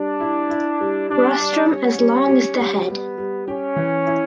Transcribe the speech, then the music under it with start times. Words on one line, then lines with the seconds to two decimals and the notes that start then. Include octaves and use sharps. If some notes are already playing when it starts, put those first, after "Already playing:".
Rostrum as long as the head.
Already playing: G3 D4
0.20 E4
0.50 E4
0.80 G3
1.10 G3 D4
1.40 G3
1.69 G3 C#4
1.99 G3
2.28 G4
2.58 G3
2.88 G3 B3
3.18 G3
3.47 C#4 G4
3.76 E3
4.06 E4